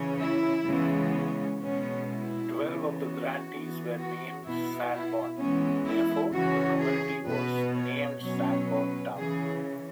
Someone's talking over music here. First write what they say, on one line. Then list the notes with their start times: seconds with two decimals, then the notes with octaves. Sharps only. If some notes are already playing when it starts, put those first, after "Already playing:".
Twelve of the grantees were named Sanborn, therefore the community was named Sanborntown.
Already playing: C#3 E3 C#4
0.19 E4
0.67 C#3 E3 G#3 B3
1.15 C#4
1.60 B2 G#3 B3 C#4
2.08 E4
2.55 C#3 E3 B3
3.03 F#4
3.49 E3 B3
3.97 F#4
4.44 B2 B3 E4
4.91 E4
5.37 E3 G#3 B3 C#4
5.85 E4
6.32 C#3 E3 C#4 F#4
6.79 G#4
7.26 B2 B3 B4
7.74 C#5
8.20 B2 F#3 C#4 C#5
8.68 B4
9.14 C#3 E3 C#4 G#4